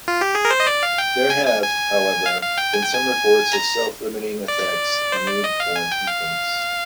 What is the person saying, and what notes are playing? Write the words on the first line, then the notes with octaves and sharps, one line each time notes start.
There have, however, been some reports of self-limiting effects on newborn infants.
F4
G4
G#4
A#4
C5
D#5
D5
F5
G5
G#5
G#5
G#5
F5
F5
G5
G#5
G5
G#5
A#5
D5
C5
D5
D#5
F5
G#5
G5
F5